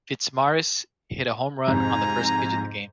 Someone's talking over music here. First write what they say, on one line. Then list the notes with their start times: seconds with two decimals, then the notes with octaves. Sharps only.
Fitzmaurice hit a home run on the first pitch of the game.
1.67 F2 G#2 C3 G#5 A#5